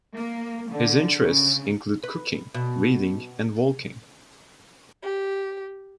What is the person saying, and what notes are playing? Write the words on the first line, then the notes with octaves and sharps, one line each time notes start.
His interests include cooking, reading, and walking.
A#3
D3
C#3
B4
B2
G4